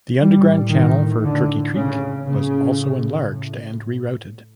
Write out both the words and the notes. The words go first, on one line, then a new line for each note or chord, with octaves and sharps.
The underground channel for Turkey Creek was also enlarged and rerouted.
A2 G3
D#3
D3
C#3
A2 C#3